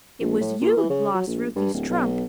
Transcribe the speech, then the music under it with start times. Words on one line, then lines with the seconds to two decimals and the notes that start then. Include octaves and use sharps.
It was you lost Ruthie's trunk.
0.20 A#1
0.40 A2
0.61 A#2
0.77 E3
0.90 C#3
1.14 F#3
1.27 A#1
1.56 G2
1.74 D1
1.90 B1